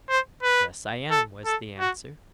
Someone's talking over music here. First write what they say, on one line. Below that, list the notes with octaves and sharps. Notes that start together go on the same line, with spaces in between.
'Yes, I am,' was the answer.
C5
B4
A4
A4
F#4